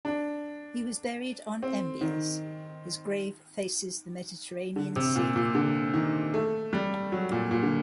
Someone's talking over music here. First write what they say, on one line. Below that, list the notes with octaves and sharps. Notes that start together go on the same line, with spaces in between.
He was buried on Embiez; his grave faces the Mediterranean sea.
D4
C4
D#3
D3
C3
A#2
A#2
D3
D#3
A3
G3
F#3
A#2
A#2
D3